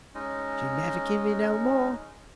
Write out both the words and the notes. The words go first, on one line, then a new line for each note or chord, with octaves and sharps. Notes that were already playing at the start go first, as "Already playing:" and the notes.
"She never give me no more."
G#3 C#4 D#4